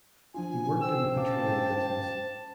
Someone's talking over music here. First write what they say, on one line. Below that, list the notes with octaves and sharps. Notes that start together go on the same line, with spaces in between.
He worked in the petroleum business.
F3 D4 F4 G#5
C5 G5 E6
C#4 F5 A5 D6